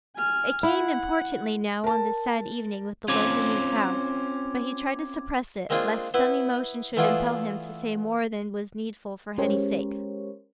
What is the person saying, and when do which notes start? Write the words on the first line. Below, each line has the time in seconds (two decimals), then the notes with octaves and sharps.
It came importunately now, on this sad evening, with the low-hanging clouds, but he tried to suppress it, lest some emotion should impel him to say more than was needful for Hetty's sake.
0.16 G#5 F6
0.63 E4 F#5
1.84 A#4 A5
3.08 C4 C#4 F4 D6 G#6
5.70 G#3 A#3 C4 D4 F4 G#4
6.14 B3 E4 B4
6.97 E3 A3 B3 F4 G#4 D5
9.38 G#3 C#4 G4 A#4 C5 C#5